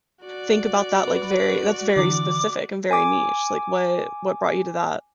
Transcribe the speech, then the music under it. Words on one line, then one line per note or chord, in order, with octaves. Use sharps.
think about that, like, very that's very specific, and very niche, like, what what brought you to that?
F#4 D5
B4
D3 E3 D6
G#5 D6